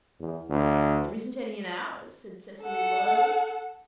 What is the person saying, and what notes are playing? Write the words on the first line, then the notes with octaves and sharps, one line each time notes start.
"There isn't any in ours," said Cecily loyally.
E2
D2
A4 F#5